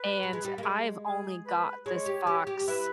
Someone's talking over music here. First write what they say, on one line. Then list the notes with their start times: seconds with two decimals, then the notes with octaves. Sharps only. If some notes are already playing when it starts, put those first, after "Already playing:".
and I've only got this fox
Already playing: B4
0.23 G3
0.33 G#3
0.45 G3
0.58 A#3
0.63 G#3
1.05 G#4
1.46 B4
1.86 G#3 C#5
2.06 G4
2.27 G4
2.47 G4
2.68 E4 B4